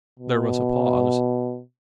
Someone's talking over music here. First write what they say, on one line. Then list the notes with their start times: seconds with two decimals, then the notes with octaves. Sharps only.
There was a pause.
0.19 B2